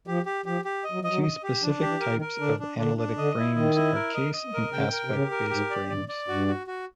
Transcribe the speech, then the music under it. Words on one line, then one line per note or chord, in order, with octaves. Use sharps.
Two specific types of analytic frames are case and aspect based frames.
F3 G4
G4
F3 G4
G4
D#5
F#3
F3
F#3 D#5
D#5
G4
F3 D4
G4
E3
A#4
D#3
A#4
D3 D4
D4
D3 D4
D4
D3 D#5
E4
D#3 D#5
E4
A#4
D#5
D#5
A#4
C#3 G5
A#4
C3
C#3 G4
A#4
G#2 G4
D5
G2 D5
D5
G2 F#4
F#4
F#4